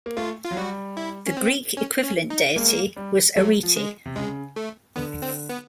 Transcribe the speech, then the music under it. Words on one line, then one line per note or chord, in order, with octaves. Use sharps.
The Greek equivalent deity was Arete.
A#3
A3 F4
F4
F#3
G3 F#4
E4
C#4
C4
C#4
C#4
D#4
G#3 A#3
G3
F#3 A3
F3
G#3
C3
C#3 G#3
A3
D3 B3
C4
B3